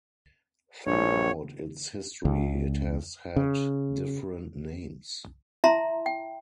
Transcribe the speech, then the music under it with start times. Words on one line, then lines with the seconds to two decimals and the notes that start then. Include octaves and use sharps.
Throughout its history it has had different names.
0.86 A#1 C#5
2.25 C#2
3.36 C#3
5.64 E4 E5 A5 A#5 C6
6.06 G5